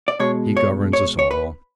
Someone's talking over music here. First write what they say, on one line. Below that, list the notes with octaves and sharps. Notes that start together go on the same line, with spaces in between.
He governs us all.
D5
B2 G#3 C#5
C#5
C#5
C#5
B4